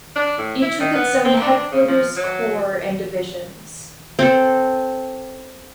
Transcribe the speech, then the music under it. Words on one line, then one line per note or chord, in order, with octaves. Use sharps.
Each with its own headquarters, corps, and divisions.
D4
A2
E4
D#3
B3
C4
D4
C#3
F3
F#3
C4 A4